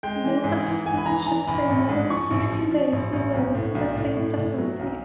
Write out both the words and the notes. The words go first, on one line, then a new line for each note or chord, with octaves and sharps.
No participant should stay more than sixteen days in a row in the same facility.
G#3 G5
E3
G#2
E3
G#2 G#5
B5
E3 A#5
E3 A#5
A#1 B5
A1
G#2
F3 C#6
A1
F3
F3
A1
A1
B1
A2
B1
A2
A2
A2
F#3
B1